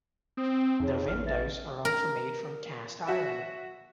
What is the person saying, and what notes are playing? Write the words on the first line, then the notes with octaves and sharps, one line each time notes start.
The windows are also made from cast iron.
C4 D#6
F2 D#4 G#4 C#5
A1 F6
B4 E5 A6
A#4
F#4 E5